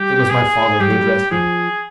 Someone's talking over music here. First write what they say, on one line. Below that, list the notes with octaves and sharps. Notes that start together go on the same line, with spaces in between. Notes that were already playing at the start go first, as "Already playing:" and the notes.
It was my father who addressed me.
Already playing: G3 G4
G#4
G3 G4
F#3
G3
F3 G#4